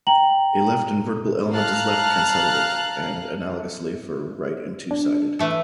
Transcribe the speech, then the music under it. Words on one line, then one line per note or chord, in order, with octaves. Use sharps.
A left-invertible element is left-cancellative, and analogously for right and two-sided.
G5 A#5 F#7
F5 A5 A#5 F6 F#6
D4
E3 A3 A4